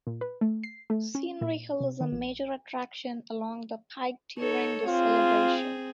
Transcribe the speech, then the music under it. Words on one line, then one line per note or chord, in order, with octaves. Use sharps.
Scenery Hill is a major attraction along the pike during this celebration.
A#2
B4
A3
C7
A3
C#4
A#2
C3
D#3
A#1
D#4 A4 C#5
C4 F4 G#4